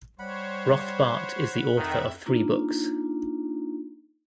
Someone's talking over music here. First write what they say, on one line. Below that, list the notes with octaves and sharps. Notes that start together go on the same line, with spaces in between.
Rothbart is the author of three books.
G3 C5 C#5 F#5 B5
F2 D#3 E5
A#3 D4 D#4 F4